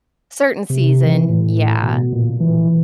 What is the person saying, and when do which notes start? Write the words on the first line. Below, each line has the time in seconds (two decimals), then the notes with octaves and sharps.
Certain season, yeah.
0.70 C3
1.05 E3
1.29 A2
1.82 B2
2.13 A#2
2.40 E3